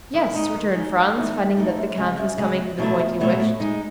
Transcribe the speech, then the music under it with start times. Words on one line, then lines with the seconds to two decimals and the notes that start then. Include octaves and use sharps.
"Yes," returned Franz, finding that the count was coming to the point he wished.
0.14 D#3
0.34 G#3 D#4
0.54 D#3
0.75 G#3 D#4
0.95 F#2
1.16 E3 A3 D#4
1.36 F#2
1.57 E3 A3 D#4
1.77 F#2
1.98 C#3 G#3
2.18 F#2
2.38 C#3 G#3
2.58 E2
2.78 B2 F#3 A3 E4
2.99 E2
3.20 B2 F#3 A3 E4
3.40 A2
3.60 G#3 D#4